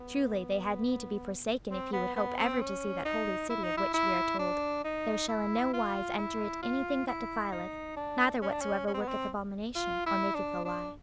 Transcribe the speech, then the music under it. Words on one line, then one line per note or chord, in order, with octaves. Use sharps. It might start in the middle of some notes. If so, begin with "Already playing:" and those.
Truly they had need to be forsaken if he would hope ever to see that holy city of which we are told "There shall in no wise enter it anything that defileth, neither whatsoever worketh abomination, or maketh a lie."
Already playing: B3
C4
B3
B3
C4
C#4
D#4
E4
D#4
E4
E4
D4
D#4
E4
F4
E4
F4
E4
D#4
D4
C#4
D4
C#4
C#4
C4
B3
C4
F4
E4
D4
D4